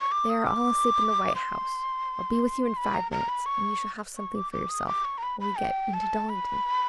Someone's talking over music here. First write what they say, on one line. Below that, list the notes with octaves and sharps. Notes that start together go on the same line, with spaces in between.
They are all asleep in the "White House." I'll be with you in five minutes, and you shall have something for yourself when we get into Dollington.'
C#6
D6
D#6
D6
C6
B5
A#5
A#5
B5
C#6
C#6
D6
D6
D#6
D6
C#6
A#5
B5
B5
G5
A5
B5